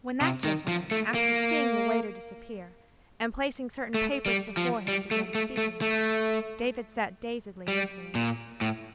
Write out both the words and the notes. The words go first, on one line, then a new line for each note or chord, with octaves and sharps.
When that gentleman, after seeing the waiter disappear, and placing certain papers before him, began speaking, David sat dazedly listening.
C3
D#3
F3
A3
A#3
A3
G3
F3
G3
A3
A3
A3
A3
G3
A#2
A2